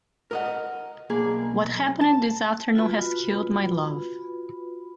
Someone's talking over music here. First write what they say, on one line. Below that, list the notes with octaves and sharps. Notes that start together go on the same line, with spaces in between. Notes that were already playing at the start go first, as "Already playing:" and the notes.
What happened this afternoon has killed my love.
A#4 D#5 F#5
B1 A#3 G#4
A5
F4 F#4 B4 B5